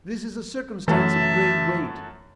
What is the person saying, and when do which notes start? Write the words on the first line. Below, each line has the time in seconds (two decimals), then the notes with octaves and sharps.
This is a circumstance of great weight.
0.88 F#2 E3 F#3 A3 E5 A5